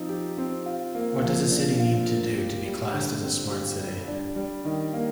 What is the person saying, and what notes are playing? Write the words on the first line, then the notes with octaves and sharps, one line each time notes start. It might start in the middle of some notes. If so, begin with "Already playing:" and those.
What does a city need to do to be classed as a Smart City?
Already playing: F3 C4 D#4
G4
C4
F4
A#3
F3
D4
F4
A#3
G4
G3
D3
C4
G4
G3
D4
G3
D#3
A#3